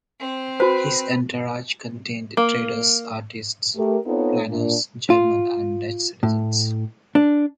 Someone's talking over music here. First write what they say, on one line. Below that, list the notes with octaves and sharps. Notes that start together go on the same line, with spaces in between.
His entourage contained traders, artists, planners, German and Dutch citizens.
C4
F#4 B4 C5
A#3
A3 G4 A#4
B3 C4 D#4 F4 A4 C#5
A#2 D4
F4
A2
D4